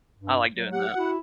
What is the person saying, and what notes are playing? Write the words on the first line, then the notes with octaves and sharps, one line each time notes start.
I like doing that.
G2
F#3
G4 F#5
E4 F#4